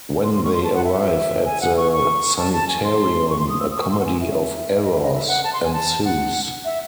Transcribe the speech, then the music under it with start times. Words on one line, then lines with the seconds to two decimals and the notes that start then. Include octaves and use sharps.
When they arrive at the sanitarium, a comedy of errors ensues.
0.24 C6
0.34 C6
0.44 C#6
0.54 C6
0.64 A5
0.75 F#5
0.84 E5
1.45 G#5
1.61 F#5
1.77 C#6
1.92 C#6
2.38 A5
2.53 A5
2.68 G#5
2.84 C6
3.30 C#6
3.40 C6
3.49 D#6
3.60 E6
3.70 D#6
3.81 C#6
3.90 C6
4.00 F#5
4.06 G#5
4.21 E5
4.83 D#5
4.93 E5
5.02 D#5
5.13 E5
5.28 F#5
5.44 A5
5.53 C6
5.64 G#5
5.73 A5
6.05 F#5
6.65 E5